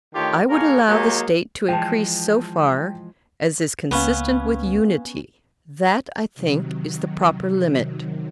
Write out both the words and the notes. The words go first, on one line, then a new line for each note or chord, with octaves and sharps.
I would allow the State to increase so far as is consistent with unity; that, I think, is the proper limit.
D3 D#3 A3 F4 G4 C#5
D3 A#3 G#4 A#4 C#5 F5
F#3 G#3 A#3 G4 G#4
E3 F3 G#3 G5 A5
C#2 A#3 B3 C#4 F5
C3 D#3 F#3